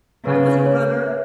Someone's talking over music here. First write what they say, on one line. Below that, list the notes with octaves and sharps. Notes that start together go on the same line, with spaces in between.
I was a runner.
C#3 B4
C#5
E5